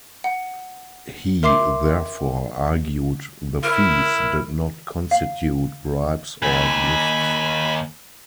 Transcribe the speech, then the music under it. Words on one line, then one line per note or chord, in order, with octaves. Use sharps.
He therefore argued the "fees" did not constitute "bribes" or "gifts".
F#5
A#4 E5 C6 D6 C7
E4 A#4
F5
D#2 G#5 B5